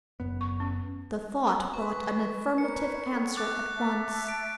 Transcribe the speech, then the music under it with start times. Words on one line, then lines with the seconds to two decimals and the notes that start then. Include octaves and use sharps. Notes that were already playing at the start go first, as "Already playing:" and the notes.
The thought brought an affirmative answer at once.
0.20 F#1 F#2 B3
0.41 C#6
0.60 C#4
1.74 B4 C#6
2.58 A#4 B4 C#5 C#7
3.11 A4 F#5 G5
3.37 D6 F#6 A6
3.75 E5 A5
4.28 D7